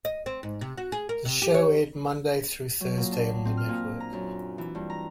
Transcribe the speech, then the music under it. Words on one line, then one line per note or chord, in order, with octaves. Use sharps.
The show aired Monday through Thursday on the network.
D#5
C4
G#2
C3
F#4
G#4
A#4
C3
G4
C#5
F#3
A#2
D4
C4
F6
A#2
A#5
F#2
E3
G2
A#5